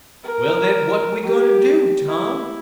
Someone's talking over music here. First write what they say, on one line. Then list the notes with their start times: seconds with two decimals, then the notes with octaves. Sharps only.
"Well, then, what we going to do, Tom?"
0.24 A#4
1.24 G4
2.07 E4